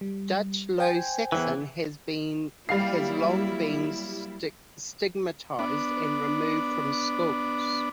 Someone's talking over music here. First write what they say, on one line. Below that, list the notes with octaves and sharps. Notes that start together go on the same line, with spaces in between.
Dutch Low Saxon has long been stigmatised and removed from schools.
G3
C5 G5 G#5
E2 G#2 E3
F#3 G3 A#3 E4 F5 C7
B3 D4